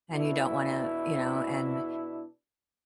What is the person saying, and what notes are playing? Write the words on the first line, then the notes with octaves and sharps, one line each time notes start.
And you don't wanna, you know, and
B2 D4 E4